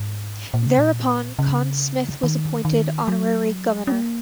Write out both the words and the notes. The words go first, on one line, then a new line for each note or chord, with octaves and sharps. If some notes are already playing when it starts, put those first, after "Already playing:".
Thereupon, Conn Smythe was appointed honorary governor.
Already playing: G#2
A#2
C#3
A#2
C#3
D#3
D#3
F#3
C#4
A#3